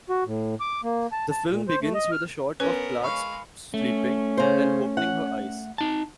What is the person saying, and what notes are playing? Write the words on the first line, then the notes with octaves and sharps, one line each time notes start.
The film begins with a shot of Plath sleeping, then opening her eyes.
F#4
A2
D6
A#3
A5
A5
A#2
C5
A3
D#5
F6
B3 C#4 A#4 B4
G#3 F5 B5 C#6
A3 C#4
C#3 C5
F#5
D#4 A5